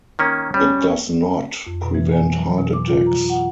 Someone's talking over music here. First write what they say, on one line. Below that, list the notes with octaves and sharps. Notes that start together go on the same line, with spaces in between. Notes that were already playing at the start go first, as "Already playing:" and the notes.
It does not prevent heart attacks.
D#3 A#3 C#4
G3 C#4
F2
B2
E3
G#5
F#3
B2
D6
F4
A#5
F#5